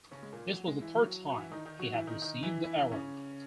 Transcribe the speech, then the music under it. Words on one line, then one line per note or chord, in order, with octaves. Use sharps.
This was the third time he had received the award.
C#3 C#4
G#3
A#2 A#3
F#3
G#3
E3 E4
F#3 F#4
F#4
E3 E4
D#3 D#4
D#3 D#4
F#3 F#4
E3 E4
D#3 D#4
D#3 D#4
E3 E4
E3 E4
E3 E4
C#3 C#4